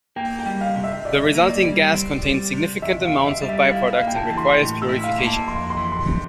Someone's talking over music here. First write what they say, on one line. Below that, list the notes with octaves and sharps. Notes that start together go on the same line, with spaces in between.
The resulting gas contains significant amounts of byproducts and requires purification.
A#3 G5
G5
G3
F5
C3
E5
C2 D5
A#3
D5
G3
C4
G3
C3
E2 E5
F5
C4
E5
G3
E5
E4 F5
F5
A#3
G5
A5
E3
C6
A2
E6
E4
F5
A#3
A5
F2 C6
C6
E3
C6
C3